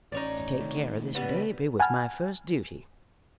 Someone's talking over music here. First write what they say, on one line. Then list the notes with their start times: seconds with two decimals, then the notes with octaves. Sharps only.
To take care of this baby was my first duty.
0.12 A1 C#4 D#4 C#5 D5
0.60 C3 D#3 A3
1.15 C#3 E3 G3 B3
1.80 F#5 G#5 A5 B5 F6